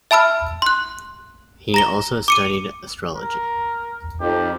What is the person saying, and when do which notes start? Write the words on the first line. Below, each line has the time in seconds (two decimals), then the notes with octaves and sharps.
He also studied astrology.
0.11 E5 A5 B5 E6 F6
0.62 C6 F#6
1.74 A#5 A#6 G7
2.28 D6 C#7 D#7
3.16 A#4
4.21 F2 D#4 G4